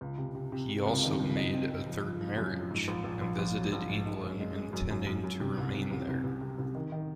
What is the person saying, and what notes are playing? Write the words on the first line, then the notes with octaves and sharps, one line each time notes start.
He also made a third marriage, and visited England intending to remain there.
C#2
C3
C3
C3
C3
C#2
D#3
C#2
D#4
C4
C4
F3
F3
F3
F#2
F3
G#2
A#1
A#1
A#1
A#1
F#3
A#1
G#2
G#3
F#2
G#3
G#3
F#2
F#2
F#2
F#2
C3
C2
C2
C2
C2
C2
C3
C2
D#3
D#3